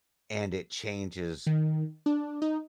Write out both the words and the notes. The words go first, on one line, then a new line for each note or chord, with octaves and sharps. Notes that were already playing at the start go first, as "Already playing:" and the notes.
and it changes
D#3
D4
D#4